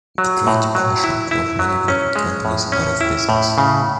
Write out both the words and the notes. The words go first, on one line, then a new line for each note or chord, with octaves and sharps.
The Great Depression drove many record companies out of business.
F#3
A2
F#3
E4
E4
F#3
C#4
G#3
A2
C#4
E4
A2
C#3